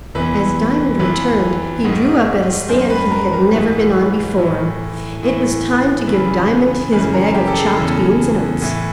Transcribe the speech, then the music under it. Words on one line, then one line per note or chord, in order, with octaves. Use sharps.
As Diamond returned, he drew up at a stand he had never been on before: it was time to give Diamond his bag of chopped beans and oats.
E2 C3 E3 B4
F2 C3 E3 B4
G#2 D#3
F#2 D#3 C5
B4
A#4
A#4
G#2 E3 B4
A2 E3
A2 E3
F2 C#3 E3 B4
F#2 C#3 E3 B4
A#4
G4
A4
G#4
E2 C#3 E3 A4
A2 E3